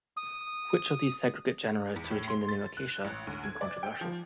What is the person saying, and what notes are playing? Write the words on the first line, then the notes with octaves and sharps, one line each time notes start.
Which of these segregate genera is to retain the name "Acacia" has been controversial.
D#6
E2
A2
C6
A6
F#6
A1
D2
G#6
D5
G5
F3